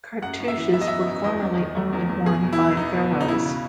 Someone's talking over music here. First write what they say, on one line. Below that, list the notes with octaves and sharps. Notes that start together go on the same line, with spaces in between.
Cartouches were formerly only worn by Pharaohs.
F#2 F#5
F#2
E5
E3
B3 E5
D#5
F#2 E5
F#2
E2 D#5
E2
D#3
A3
E2
E2
B2 G#4
B2
E4
F#3
B3 D#4
B2
B2
D#4
C#3 E4
C#3